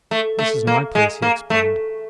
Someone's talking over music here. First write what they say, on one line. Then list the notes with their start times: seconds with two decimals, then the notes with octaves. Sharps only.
"This is my place," he explained.
0.11 A3
0.39 A3
0.67 A#3
0.95 G#3
1.22 A#3
1.50 A3